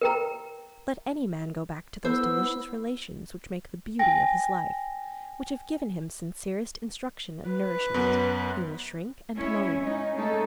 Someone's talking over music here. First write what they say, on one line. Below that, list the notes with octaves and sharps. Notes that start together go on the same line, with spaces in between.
Let any man go back to those delicious relations which make the beauty of his life, which have given him sincerest instruction and nourishment, he will shrink and moan.
A#4 G5 A#5
B3 E4 C5 E6
G5 G#5 A#6
B4
F#2 B3
G#3 C#4 E4 C#5
C#4 D#4
G#3 A3 C#4 D#4 A4